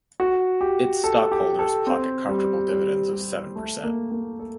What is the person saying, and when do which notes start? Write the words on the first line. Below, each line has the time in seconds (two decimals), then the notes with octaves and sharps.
Its stockholders pocket comfortable dividends of seven per cent.
0.20 F#4
0.61 G4
1.04 A4
1.32 G4
1.59 A4
1.87 C4
2.29 G3
2.71 G3
3.13 G3
3.56 A3
3.83 A#3
4.11 A#3
4.39 A4